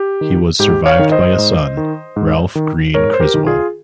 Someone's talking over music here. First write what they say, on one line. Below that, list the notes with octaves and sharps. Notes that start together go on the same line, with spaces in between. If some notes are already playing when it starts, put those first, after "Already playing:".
He was survived by a son, Ralph Greene Criswell.
Already playing: G4
D#3
G#2 G4
C#5 F5
D#3
C5 D#5
G#2
D#3
G#2
D#3
G#2 A#4 C#5
C5
G4 A#4
D#3
F4 G#4